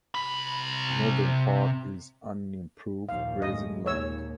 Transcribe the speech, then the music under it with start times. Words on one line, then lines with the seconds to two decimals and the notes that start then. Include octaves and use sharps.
The northern part is unimproved grazing land.
0.15 C3 B5
3.09 D#2 A#2 F3 F5
3.42 A2 G#3 D#5
3.86 D#2 A#2 C#5 E6